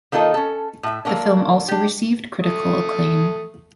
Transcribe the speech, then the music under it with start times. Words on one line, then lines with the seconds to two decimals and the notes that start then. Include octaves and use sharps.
The film also received critical acclaim.
0.12 D#3 A#3 D#4 F4 A4 D#5
0.34 C#4 A4
0.83 A2 E5
1.05 D3 F#3 A#3 C#4 D4
1.68 D4 G4
2.42 A3 D#6